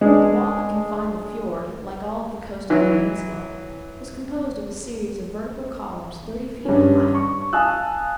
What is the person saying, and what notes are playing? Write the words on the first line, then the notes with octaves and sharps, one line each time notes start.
The wall that confined the fiord, like all the coast of the peninsula, was composed of a series of vertical columns thirty feet high.
G#3 D4
E3 F#3 E4
G2 C#4
C#6
F5 G#5 A5 D#6 E6 F#6